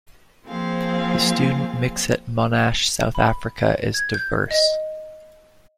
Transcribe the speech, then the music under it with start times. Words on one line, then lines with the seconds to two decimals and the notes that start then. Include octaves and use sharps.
The student mix at Monash South Africa is diverse.
0.45 F3 A#3 C4 G#4 F5
3.15 B5
3.94 G#6
4.14 G6
4.51 D#5